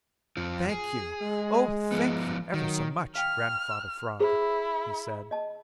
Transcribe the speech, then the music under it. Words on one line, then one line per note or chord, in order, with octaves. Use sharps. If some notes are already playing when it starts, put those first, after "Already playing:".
"Thank you, oh, thank you ever so much, Grandfather Frog," he said.
F2 F3
G#4
G#3
F3 B3
D#3 F#3
F5 G5 F6
E4 G#4 C5
D#5 A5